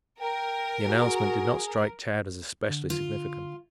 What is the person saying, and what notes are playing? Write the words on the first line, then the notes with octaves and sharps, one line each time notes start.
The announcement did not strike Tad as especially significant.
A#4 G5
F#4 G#4
D3
F4